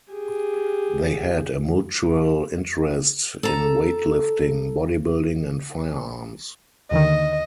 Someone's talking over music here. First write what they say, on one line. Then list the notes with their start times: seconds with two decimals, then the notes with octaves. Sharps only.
They had a mutual interest in weightlifting, bodybuilding and firearms.
0.12 G4 G#4
3.43 A4 A#5
6.91 D#2 D3 D#3 D#5